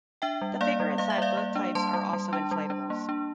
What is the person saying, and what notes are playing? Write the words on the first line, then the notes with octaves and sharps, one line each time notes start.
The figures inside both types are also inflatables.
D4 E5 G5
G3
A#3 D5 F5
G3
A#3 F5
E5
G3 D5 F5
A#3
D4
G3 A5 C6
G3
G3
D4
G3
D4
A#3
D4